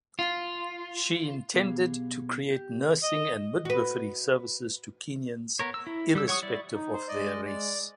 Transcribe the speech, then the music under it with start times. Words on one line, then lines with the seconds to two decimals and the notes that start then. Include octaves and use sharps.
She intended to create nursing and midwifery services to Kenyans irrespective of their race.
0.19 F4
1.54 B1 B3 G4 G#4 F5
2.51 G4
3.03 D#5
3.65 F#4 B4
5.59 B3 A#4 C#5
5.74 E6
5.87 E4
6.15 G3 E6
6.28 C#5 F#5 C#6 D#6
6.42 E4 D5
6.74 D#4
6.94 C5
7.08 G#3 D5 D#5
7.46 D5